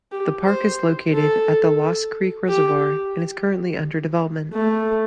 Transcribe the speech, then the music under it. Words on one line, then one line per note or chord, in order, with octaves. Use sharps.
The park is located at the Lost Creek Reservoir and is currently under development.
G4
C5
A4
G4
A3